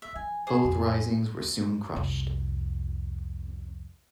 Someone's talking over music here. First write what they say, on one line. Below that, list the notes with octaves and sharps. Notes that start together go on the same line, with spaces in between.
Both risings were soon crushed.
E5
F3 G#5
G#4 C5 D6
F2
C2 F2